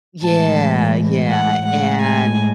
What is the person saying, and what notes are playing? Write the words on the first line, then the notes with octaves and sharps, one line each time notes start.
Yeah, yeah, and
A2 E3 G#3 A5
F#5
A2 G#3 F#5
G#5